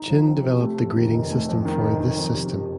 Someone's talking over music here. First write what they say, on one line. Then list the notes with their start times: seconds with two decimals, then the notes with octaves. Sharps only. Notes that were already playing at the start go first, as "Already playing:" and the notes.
Chin developed the grading system for this system.
Already playing: D#4
0.10 F3
0.28 C4
0.44 C3
0.61 A3
0.79 F2
0.96 D#3
1.14 F1
1.30 A3
1.49 F2
1.65 D#3
1.82 F1
2.00 D#3
2.18 F2
2.35 C3
2.52 F#1